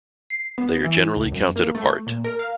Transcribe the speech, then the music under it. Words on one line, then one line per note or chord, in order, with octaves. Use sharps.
They are generally counted apart.
C7
B3
E3
C#2
F#2
A#3
A3
A#2
A#4
F5